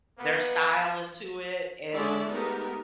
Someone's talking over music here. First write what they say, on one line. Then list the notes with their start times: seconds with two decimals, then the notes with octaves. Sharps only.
their style into it, and,
0.18 A#3 B3 B4
1.93 D3 G#3 C#4 E4 D5 E5
2.30 G#3 A3 B3 D#4 G4 A#4